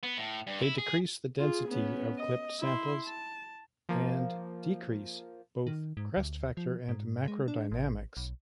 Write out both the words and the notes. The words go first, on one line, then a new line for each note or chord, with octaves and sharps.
They decrease the density of clipped samples, and decrease both crest factor and macro-dynamics.
B3
A2
G2
E4
G#4
F4 G#4
B3 C#4
D#5
E4 C6
A5
F3 A#3
D#3
G#2
D2
F3
G#2
G#3
D4
A1
B1